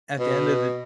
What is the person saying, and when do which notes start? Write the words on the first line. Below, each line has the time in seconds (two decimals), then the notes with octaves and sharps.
at the end of the
0.20 B2